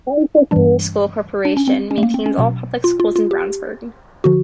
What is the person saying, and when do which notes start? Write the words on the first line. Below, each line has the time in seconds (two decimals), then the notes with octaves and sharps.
Brownsburg Community School Corporation maintains all public schools in Brownsburg.
0.51 G2 E3 G3 D4
1.45 D4
1.57 C#4
1.68 C4
1.91 C#4
1.98 A3
2.03 A#3
2.14 C4
2.26 C#4
2.38 B2 F#3
2.84 F4
3.00 F4
3.16 F4
3.31 G4
4.24 D3 F3 F#4